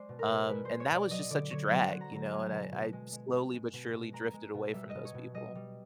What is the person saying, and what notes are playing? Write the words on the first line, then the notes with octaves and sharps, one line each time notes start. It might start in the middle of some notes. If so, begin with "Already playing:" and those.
Um, and that was just such a drag, you know, and I I slowly but surely drifted away from those people.
Already playing: G#3 C5 D5
B2
A#4
B2
G#3 B4
G#3 C5
C#5
B2 D5
F#3 D#5
D3 D5
D3 C#5
F#3 C5
F#3 F#5
A#5
D3 A#5
G#3 G#5
B2
B2
G#3
G#3
B2
G#3
B2
B2
G#3 A#5
G#3
B2
G3 E5
D#5
B2
C#5
B2
G3 D#5
G3